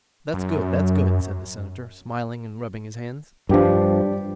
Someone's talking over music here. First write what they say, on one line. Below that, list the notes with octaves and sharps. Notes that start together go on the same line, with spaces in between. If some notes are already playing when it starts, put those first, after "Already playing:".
"That's good, that's good," said the Senator; smiling, and rubbing his hands.
F#2
G2 F3 D4 G4 B4